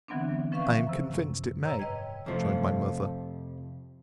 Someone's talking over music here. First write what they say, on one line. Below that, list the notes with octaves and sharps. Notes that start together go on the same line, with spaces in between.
I am convinced it may, joined my mother.
D3 E3 F#3 B3 C4 D4
F3 C#4 B4 E5 F5 C#6
F#2 C3
G#2 C#5 A#5 E6
B4 D#5 G5 G#6
F2 C3 F3 A3